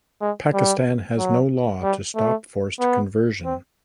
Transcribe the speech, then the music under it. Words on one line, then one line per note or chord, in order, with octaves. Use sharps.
Pakistan has no law to stop forced conversion.
G#3
G3
F#3
G3
A3
B3
C4